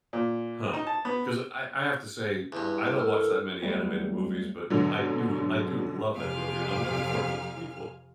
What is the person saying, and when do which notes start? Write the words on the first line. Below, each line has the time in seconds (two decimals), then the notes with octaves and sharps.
Huh? 'Cause, uh I I have to say, I don't watch that many animated movies, but I do I do love that movie, and I'm looking forward to the sequel.
0.13 A#2
0.73 D#4
0.87 A5
1.05 B3
2.52 E2 G2
2.99 A4 A#4
3.62 D#2 F#3 G3 A3 B3 C4
4.70 G#2 B2 D3 F#3
6.16 F2 C3 F5 G#5 F6